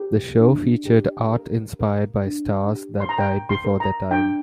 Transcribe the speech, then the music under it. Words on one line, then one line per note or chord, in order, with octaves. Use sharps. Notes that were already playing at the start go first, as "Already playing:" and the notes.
The show featured art inspired by stars that died before their time.
Already playing: G4
D4
G4
A#4
A#4
D4
G4
C6
A#5
A#4 G5
C6
A#4
A#5
D4 G5